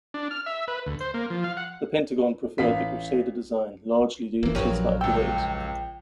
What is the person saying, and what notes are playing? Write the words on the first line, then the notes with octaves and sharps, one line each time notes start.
The Pentagon preferred the Crusader design, largely due to its lighter weight.
D4
F6
E5
B4
D2
C5
A#3
F3
F5
F#5
A1 F5 B6
F1 E3 A#3
A#1 F2 F#3 G4 A#4 B4 C#5
C#2 G5 E6